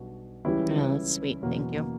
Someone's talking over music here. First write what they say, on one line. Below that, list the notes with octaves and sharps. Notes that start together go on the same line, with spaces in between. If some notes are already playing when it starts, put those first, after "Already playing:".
Oh, that's sweet, thank you.
Already playing: B1 B2 G3 D4 F#4
C#2 C#3 E3 G3 C#4 E4
E2 B2 F#3 A#3 C#4
A#3